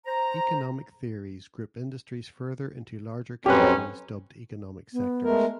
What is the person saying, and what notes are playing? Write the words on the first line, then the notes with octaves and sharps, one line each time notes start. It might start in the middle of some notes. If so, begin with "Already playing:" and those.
Economic theories group industries further into larger categories dubbed economic sectors.
C5 A#5
F2 F#3 C4 C#4 G4 B4
B3
G#3 A3 A#4